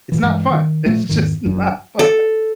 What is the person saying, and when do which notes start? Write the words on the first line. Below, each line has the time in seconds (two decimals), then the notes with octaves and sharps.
it's not fun! It's just not fun.
0.12 A#2 E3
0.23 G2 E3 G#3
0.50 D#3
0.86 A#2 F3 A3
1.09 E2 G#2 D#3
1.45 F#1 F#2 D4
1.99 A4